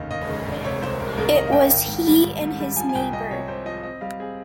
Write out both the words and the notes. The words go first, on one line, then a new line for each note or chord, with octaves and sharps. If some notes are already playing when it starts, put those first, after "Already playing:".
It was he and his neighbour.
Already playing: F1 D#2 C#3 D#5 F5
D#2 D#5
C#3
F1
C3 C#5
C2 C5
C3 A#4
C2 A#4
D#3 D#5
F5
C2 G5
G#1
G#2
G3
G#1
G#2
G3
F3 G#5
G#5
C2 G5
C2 D#5
C3 C#5
C3 C5
F3 D#5
C4 D#5
G3 F5
C4 G#4